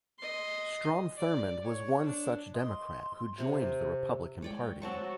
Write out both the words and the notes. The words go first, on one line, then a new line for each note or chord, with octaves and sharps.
Strom Thurmond was one such Democrat who joined the Republican party.
D#5 C6
D5
C#5
D4
D#5 C6
C3 C4
G#3 C#5 D5 G5
F#3 C4 F#4 A5 C#6